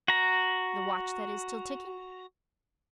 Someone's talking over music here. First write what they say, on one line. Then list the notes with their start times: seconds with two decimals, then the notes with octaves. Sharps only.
"The watch that is still ticking?"
0.08 F#4 A#5